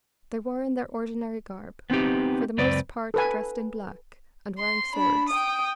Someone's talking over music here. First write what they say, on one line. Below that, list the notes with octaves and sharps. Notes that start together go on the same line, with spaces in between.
They were in their ordinary garb; for the most part dressed in black, and wearing swords.
B3 C4 D#4 G4
C#2 F#2 C4 B4 D5
A4 B4 G#5
C6
D4 B5
G5 D#6